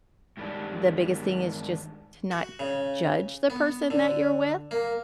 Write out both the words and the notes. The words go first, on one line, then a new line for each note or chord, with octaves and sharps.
the biggest thing is just to not judge the person that you're with,
G2 D#3 G3 G#3 D4
F#4
C#3
B3
D3
A#3